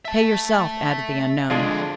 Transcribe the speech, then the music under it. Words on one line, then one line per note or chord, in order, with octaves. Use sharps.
"Pay yourself," added the unknown.
E5 A5
F2 D3 G#3 D4 F4